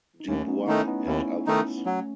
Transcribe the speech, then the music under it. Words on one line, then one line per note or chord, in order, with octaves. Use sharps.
Du Bois and others.
D#4
D#2 A3 C#4
B3 D#4
D#3 A3 C#4 D#4 E4
B3 D#4
D#2 C#4 E4
D#3 A3 D#4
B3
F#3 A3 C#4